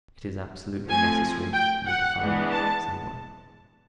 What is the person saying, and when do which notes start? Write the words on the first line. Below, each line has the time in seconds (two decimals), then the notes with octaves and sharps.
It is absolutely necessary for me to find it somewhere.
0.89 F3 A3 C4 G#5
1.53 G5
1.87 F#5
2.18 E3 G#3 B3 D4
2.51 A5